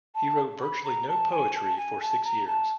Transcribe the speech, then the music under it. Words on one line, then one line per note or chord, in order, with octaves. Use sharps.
He wrote virtually no poetry for six years.
A5
B5
A#5
A5
G#5
A5
G#5
A5
A#5
A5